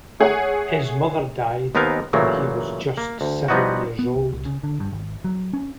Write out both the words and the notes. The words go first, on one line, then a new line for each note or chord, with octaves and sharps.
His mother died when he was just seven years old.
A3 G#4 C#5 F#5
D#2 B3 C4 D#4 A#4 F5
A#2 C#3 E3 F#3 A3 A#3
A#3
D2
F3 G3 B3 D#4 E4 F#4
B3
C2
C2
C#3
D3
G2
G#1
F#3
C#4